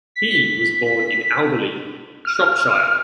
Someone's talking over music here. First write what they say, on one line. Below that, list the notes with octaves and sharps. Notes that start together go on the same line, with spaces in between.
He was born in Alveley, Shropshire.
B6
F6